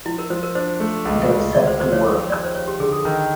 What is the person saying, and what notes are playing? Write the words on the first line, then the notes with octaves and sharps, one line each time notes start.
They set to work.
F3 E4
A#4
F3 C5
A#4
D4 C5
A3
C#2
C#2
C#2 D5
C5
F3 C5
C#5
D#2 C#5
D#2 D5
C5
D#2 C#5
G4
D3 G#4
A4
D#3 A#4